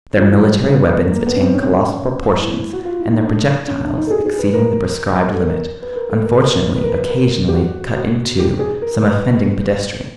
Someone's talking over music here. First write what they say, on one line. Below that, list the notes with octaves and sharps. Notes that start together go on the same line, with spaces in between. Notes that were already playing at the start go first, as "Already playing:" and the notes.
Their military weapons attained colossal proportions, and their projectiles, exceeding the prescribed limits, unfortunately occasionally cut in two some unoffending pedestrians.
F3
E3
F#3
G3
B3
A#3
B3
C#4
C4
C#4
C4
C#4
E4
F#4
F4
E4
D#4
D4
C#4
D4
D#4
A4
G#4
G#4
B4
A#4
A4
A#4
B4
A#4
A4
A#4
A4
A#4
B4
A#4
B4
A#4
G4
F#4
F#4
G4
G#4
A#4
B4